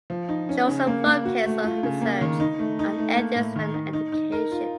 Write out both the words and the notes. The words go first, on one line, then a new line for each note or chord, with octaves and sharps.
She also focused her research on ethics and education.
F3
D#4
C#4
C#3
A#3
A#3
F#4
A3
F4
C#3
A#3
D#3
D#4
A3
D#4
A3
A#3
A2
D#3
D#4
D#4
D#4
A#4
F4